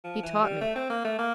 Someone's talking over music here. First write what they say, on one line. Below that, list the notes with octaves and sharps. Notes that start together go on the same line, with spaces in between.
He taught me.
F3
E3
G3
A3
C4
A#3
A3
A#3